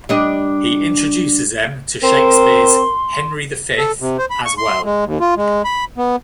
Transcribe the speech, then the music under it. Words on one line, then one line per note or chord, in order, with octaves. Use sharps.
He introduces them to Shakespeare's "Henry the Fifth" as well.
G3 D4 D#5
C4 A#4 C6
A4
C3
C5
B5
C#6
C6
G#3
D#2
F4
G#3
B5
B3